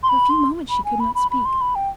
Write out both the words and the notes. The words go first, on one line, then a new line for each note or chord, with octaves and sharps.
For a few moments she could not speak.
C6
B5
C6
B5
G#5
B5
B5
B5
C6
B5
G5